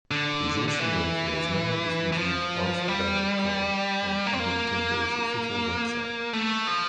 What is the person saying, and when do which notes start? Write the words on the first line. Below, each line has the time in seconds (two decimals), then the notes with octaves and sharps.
He is also known for his now-discontinued "Ask Dan" column on Nintendo's official website.
0.11 D3
0.68 D3
0.80 E3
2.12 E3
2.18 F3
2.88 G3
4.26 A#3
4.33 C4
4.39 A#3
6.33 A3
6.67 F3